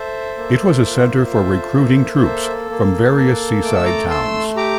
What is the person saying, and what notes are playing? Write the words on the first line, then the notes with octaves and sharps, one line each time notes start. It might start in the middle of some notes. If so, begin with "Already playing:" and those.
It was a center for recruiting troops from various seaside towns.
Already playing: A4 C5 E5
A#3
F4
A4
A#3
A4
A#3
A4
A3 D6
E6
A#5 D6
A3 C6 E6
G4 A#5 D6